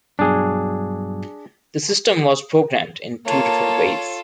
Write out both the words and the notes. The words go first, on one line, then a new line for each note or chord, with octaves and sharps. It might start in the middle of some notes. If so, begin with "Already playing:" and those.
The system was programmed in two different ways.
G2 B2 F#3 D4 G#4
A#3 F4 A4 C#5 A5